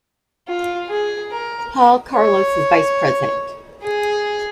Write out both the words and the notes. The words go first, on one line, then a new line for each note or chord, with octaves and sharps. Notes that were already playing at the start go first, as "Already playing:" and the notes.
Paul Carlos is vice president.
F4
G#4
A#4
C#5
G#4